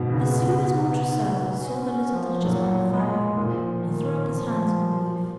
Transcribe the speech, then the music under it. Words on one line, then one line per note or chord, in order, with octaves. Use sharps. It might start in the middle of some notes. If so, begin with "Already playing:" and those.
As soon as Montresor saw the little Duchess by the fire, he threw up his hands in relief.
Already playing: G#2 B2 B3
C#3
B2
C#4
C#4
F3
A#2 F#3
G#3
A#2 F3
D#3
F3